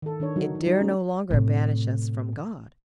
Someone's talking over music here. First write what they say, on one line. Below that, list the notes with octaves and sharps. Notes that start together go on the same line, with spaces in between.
It dare no longer banish us from God.
D#3 A4
D#3 D4 C#5
F#3 D#4 F#4
D#4
F#3 D#4
A3 C#4
A2 C3